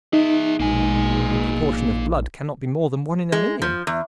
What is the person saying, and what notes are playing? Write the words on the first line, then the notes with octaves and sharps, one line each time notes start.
The proportion of blood cannot be more than one in a million.
D#4 G#4 E5
A#1 B2 G#3 A#3 G#5
G#3
F3
E2